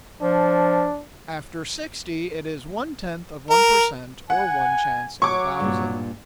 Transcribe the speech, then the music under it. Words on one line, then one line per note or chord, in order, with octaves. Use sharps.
After sixty it is one-tenth of one per cent, or one chance in a thousand.
F3 D4
A#4
F#5 G#5
F#3 C#5 C#6 D6
G2 A#2